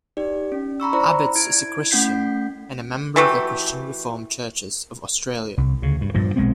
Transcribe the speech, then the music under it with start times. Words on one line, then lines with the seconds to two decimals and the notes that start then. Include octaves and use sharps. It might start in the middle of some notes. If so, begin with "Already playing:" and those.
Abetz is a Christian and a member of the Christian Reformed Churches of Australia.
0.17 D#4 G4 D5
0.52 C#4
0.80 A#5 B5 C#6 E6
0.93 E4 C5 D5 A#5 B5
1.35 E4 G#6 D7
1.91 A3 C#4 F#5 G6 B6 C7
3.16 E3 F#3 A3 G4
5.57 C2
5.82 D2 C#3
6.01 G2
6.14 G2 A#2 F3
6.36 B1 G#3 B3 C4